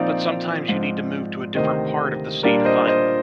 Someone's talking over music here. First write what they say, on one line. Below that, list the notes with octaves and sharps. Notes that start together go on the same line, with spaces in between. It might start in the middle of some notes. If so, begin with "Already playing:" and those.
but sometimes you need to move to a different part of the sea to find them.
Already playing: A#2 F3 C4 D#4 D5 F5
G#2 F3 C4 F4
D2 C3 D#3 C5 D#5
A#2 G3 D4 F4 A#4 D5
C5 D#5
C5 D#5